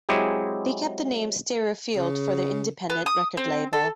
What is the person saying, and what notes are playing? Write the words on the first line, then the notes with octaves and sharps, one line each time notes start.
They kept the name Stereo Field for their independent record label.
F#3 G#3 C4 E4 G4 G#4
C#3
B3
D#6
C4
A4